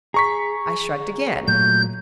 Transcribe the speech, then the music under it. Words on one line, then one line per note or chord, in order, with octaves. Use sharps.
I shrugged again.
G#4 A#5 C#6 B6
A#2 F#3 A3 G6